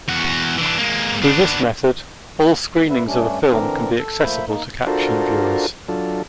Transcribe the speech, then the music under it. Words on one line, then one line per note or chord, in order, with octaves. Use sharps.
Through this method, all screenings of a film can be accessible to caption viewers.
E2 F#4
E3 D4
G#3 A#3
B3 D4
B4 E5
G2 G3 A3 C#4 D4
D3 E3 C4 D4 A#4
A4 E6
F3 A3 A#3 E5 B5 G6
A#3 D#4
D4 F4 F#4 A4 A#4 C5
F#3 D4 F4 A4